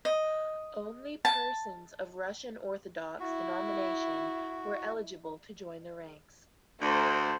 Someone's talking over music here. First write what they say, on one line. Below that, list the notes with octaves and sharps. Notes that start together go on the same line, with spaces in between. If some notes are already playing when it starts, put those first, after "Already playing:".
Only persons of Russian Orthodox denomination were eligible to join the ranks.
D#5
A5
E4 F#4
D2 A3 C5